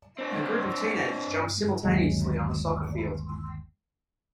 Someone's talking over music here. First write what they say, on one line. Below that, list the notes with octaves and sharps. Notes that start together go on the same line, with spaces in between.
A group of teenagers jump simultaneously on a soccer field.
C4 D4
G1 D#2 F#3 G#3